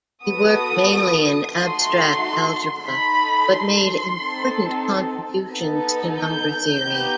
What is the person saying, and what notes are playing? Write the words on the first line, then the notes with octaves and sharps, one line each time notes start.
He worked mainly in abstract algebra, but made important contributions to number theory.
B3 F#4 A4 D#6
A3 D#4 F#4 A4 C6
D#4 A4 B5
C6
C4 D#4 A4
B3 D#4 A4
G6
B3 D#4 G4